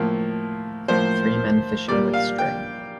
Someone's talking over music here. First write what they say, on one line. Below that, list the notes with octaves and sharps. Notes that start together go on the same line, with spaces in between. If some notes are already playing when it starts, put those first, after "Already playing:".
Three men fishing with string.
Already playing: A2 F3 A#3
A2 F3 A#3 C5
A#2 G3 A#3 D5
F5
G5